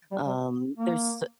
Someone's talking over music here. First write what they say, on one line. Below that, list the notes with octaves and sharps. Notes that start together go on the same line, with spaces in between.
um, there's s
G3
G3
A#3